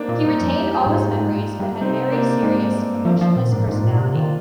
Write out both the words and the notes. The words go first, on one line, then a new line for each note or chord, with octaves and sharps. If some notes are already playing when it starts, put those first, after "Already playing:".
He retained all his memories but had a very serious, emotionless personality.
Already playing: A#3 C4 D4 D#4
A#2
G2 C4 D#4
F2
G2 D#4 G4
F4 G#4
G#2 D#4 G4
D4 F4
G2
G#2
G2
C3 C4 D#4
A#3 D4
G#2
G2
F3 C4
F3 C4
A#2 C4
G#2 A#3 D4
G#2 D4 F4
A#2
C3
D#3 F4